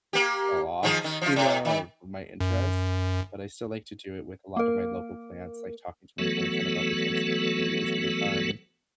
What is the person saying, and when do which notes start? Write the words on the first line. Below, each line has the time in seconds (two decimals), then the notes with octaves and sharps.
fell off, you know, of my interest, but I still like to do it with a lot of my local plants, like talking to my boyfriend about which ones you can eat is really fun,
0.13 A#3 G4
0.83 D#3 F3 G#4
1.04 D#3
1.22 F3 F4
1.36 A2
1.65 D#3
2.40 F#2
4.57 A#3 A#4
6.18 E3 F#3 A3 B3 F#4 A4